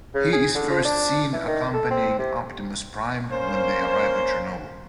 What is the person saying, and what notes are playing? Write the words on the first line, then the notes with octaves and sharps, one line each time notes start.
He is first seen accompanying Optimus Prime when they arrive in Chernobyl.
C#3
G#4
D3
F3
D4
E3
D#3
A4
C4
C3
A#3 C#4 C5